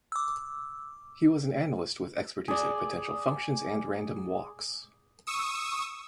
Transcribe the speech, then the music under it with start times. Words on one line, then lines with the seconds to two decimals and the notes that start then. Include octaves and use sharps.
He was an analyst with expertise in potential functions and random walks.
0.12 D6 E6
2.48 G#4 D5
5.27 C#6 D#6 E6